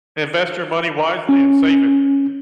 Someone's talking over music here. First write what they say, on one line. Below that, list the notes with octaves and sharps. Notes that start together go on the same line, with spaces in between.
invest your money wisely and save it.
C#4